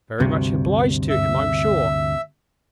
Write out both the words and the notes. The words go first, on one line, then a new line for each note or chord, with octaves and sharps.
'Very much obliged to him, I'm sure.
D2 G2 C3
E5